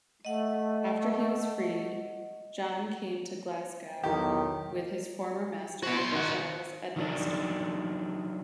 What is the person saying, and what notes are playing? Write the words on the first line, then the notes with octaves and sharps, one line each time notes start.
After he was freed, John came to Glasgow with his former master, Charles Edmonstone.
A3 D#5 F#5
B1 E2 D#3 G4
B3 F#4
B1 C6
D#3 F#4
D#3 F#3 D4